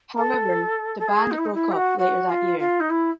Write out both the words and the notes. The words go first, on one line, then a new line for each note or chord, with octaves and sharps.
However, the band broke up later that year.
A4
A4
G#4
D#4
E4
D#4
E4
G4
F#4
F#4
F4
F4
D#4
E4